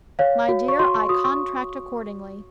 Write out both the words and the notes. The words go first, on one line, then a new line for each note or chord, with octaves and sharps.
"My dear, I contract accordingly."
C#5 F5
F#4
C#6
F#4 C6
C#6
F#4 D#6
C#6